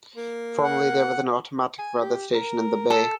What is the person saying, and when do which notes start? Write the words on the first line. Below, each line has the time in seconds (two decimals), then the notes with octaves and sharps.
Formerly there was an automatic weather station in the bay.
0.16 A#3
0.63 F#5
1.79 G#5
2.01 G4
2.35 A#4
2.90 A4